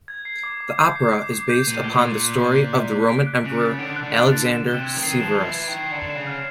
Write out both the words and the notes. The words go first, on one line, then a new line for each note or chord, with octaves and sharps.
The opera is based upon the story of the Roman Emperor Alexander Severus.
G#6
C7
D6
D6
G6
C7
D6
D6
G6
A#2 D#7
A2
A#2 G7
F#6
B6
D#7
G7
F#6
B6
D7
F#6
C#3 F#6
A6
D3 D7
F#6
D3
F#6
D3
A6
E7
G7
C3
G#6
D#3
C7
F3 E7
G7
E3
G#6
D#3
C7
D3 C#7
E7
C#3
F6